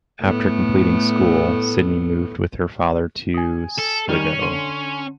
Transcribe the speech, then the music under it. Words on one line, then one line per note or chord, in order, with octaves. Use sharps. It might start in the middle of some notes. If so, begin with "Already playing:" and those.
After completing school Sydney moved with her father to Sligo.
A2 A3 B3
G#5 D#6
A4
D#3 G3 C#4 F6
D3 C6 D#7